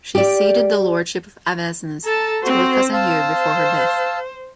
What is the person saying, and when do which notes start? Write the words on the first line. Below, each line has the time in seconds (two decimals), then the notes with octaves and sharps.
She ceded the lordship of Avesnes to her cousin Hugh before her death.
0.15 G4 D5
2.04 A4 A5 A#5
2.43 C4 F#4 C5
2.93 C5 F5 A5 E6